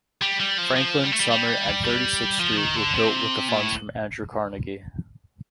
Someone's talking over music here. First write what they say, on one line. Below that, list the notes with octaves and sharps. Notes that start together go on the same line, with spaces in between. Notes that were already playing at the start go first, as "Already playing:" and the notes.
Franklin, Sumner, and Thirty-Sixth Street were built with funds from Andrew Carnegie.
G3
G3
F3
F3
G3
A3
G3
G3
G3
F3
D#3
D3
C3
A#2
A2